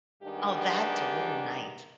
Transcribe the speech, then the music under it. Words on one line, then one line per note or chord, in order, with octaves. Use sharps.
Oh, that's really nice.
G2 D#3 G#3 B3 D4 G4